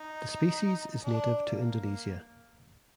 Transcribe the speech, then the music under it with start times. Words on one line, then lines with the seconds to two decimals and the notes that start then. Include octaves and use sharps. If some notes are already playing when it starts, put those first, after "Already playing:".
The species is native to Indonesia.
Already playing: D#4
1.03 D4
1.46 A#3